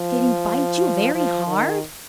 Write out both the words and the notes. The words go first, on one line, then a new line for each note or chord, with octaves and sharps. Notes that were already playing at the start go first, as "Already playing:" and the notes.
"Did he bite you very hard?"
Already playing: F3
F3
D#3